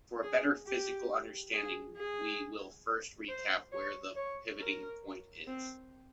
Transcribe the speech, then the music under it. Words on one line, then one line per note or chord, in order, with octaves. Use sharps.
For a better physical understanding, we will first recap where the pivoting point is.
G#4
G4
G#4
G#4
C5
C#5
C#5
A#4
C4